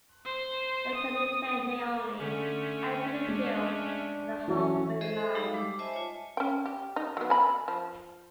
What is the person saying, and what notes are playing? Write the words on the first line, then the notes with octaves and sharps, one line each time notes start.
The incoming player may only enter the field at the half-way line.
C5
D#6
D3 A3 C#4
G#3 D4
E3 F#3 C#4 F#4
G#4 A4 C5 D#5 E5
G#3 D#4 G4 F5 B5 E6
G3 D6
C5 D#5 E5 G#5 A5
F4 C#5
C#4 G5
G4
D#4
F#3 B3
G#5 B5
F3